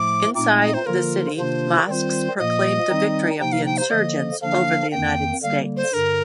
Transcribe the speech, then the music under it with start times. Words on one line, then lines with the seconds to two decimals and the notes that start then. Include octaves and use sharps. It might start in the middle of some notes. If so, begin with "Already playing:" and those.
Inside the city, mosques proclaimed the victory of the insurgents over the United States.
Already playing: A2 F3 A3 D6
0.35 A#2 A3 C4 D#4 D6
0.61 D#5
0.74 C5
0.86 D3 F3 A#3 F4 A#4
1.36 C3 D#3 A#3 D4 F4 C5
1.88 D#3 G3 C4 F4 C5 D5
2.38 A#2 F3 A#3 D#5
2.89 D#3 G3 C4 D#4
3.40 C3 F3 A#3 D#4 G5
3.52 F5
3.66 G5
3.78 C5
3.90 D3 F3 A#3 D#5
4.41 D3 F3 A#3 D4 F5
4.92 F2 D#3 A#3 G5
5.42 D3 G3 A#3 F5
5.77 C5
5.93 G2 D3 A#4